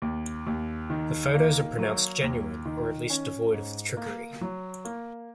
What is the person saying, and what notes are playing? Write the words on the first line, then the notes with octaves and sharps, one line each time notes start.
The photos are pronounced genuine, or at least devoid of trickery.
D#2
D#2
D#3
A#3
F#3
D#2
D#3
C#4
G#2
A#3
F#3
A#3